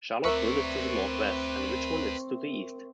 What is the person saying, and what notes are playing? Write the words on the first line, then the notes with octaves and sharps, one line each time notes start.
Charlottesville is to the northwest, and Richmond is to the east.
D2 C4 A#4 B4 D5 E5 C#6